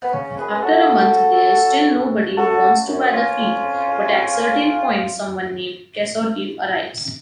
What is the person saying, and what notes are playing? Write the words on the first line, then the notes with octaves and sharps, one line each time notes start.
After a month there is still nobody who wants to buy the field, but at certain point someone named Caisotti arrives.
B3
C#3 C#4
F#2 G#4 B4
C#3 F#4 A4
F#2
C#3
F#2
C#3
F#2
C#3
F#2 F#4 A4
C#3
F#2
C#3 C#4 F4
F2
C#3
F2
C#3
F2
C#3